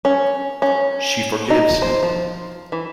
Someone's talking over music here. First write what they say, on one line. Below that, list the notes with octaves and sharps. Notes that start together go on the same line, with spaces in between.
She forgives him.
C#4
C#4
D#4
C5
F3
E3